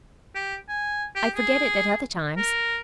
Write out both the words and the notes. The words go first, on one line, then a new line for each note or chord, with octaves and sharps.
I forget it at other times.
G4
G#5
G4
G#4
A#4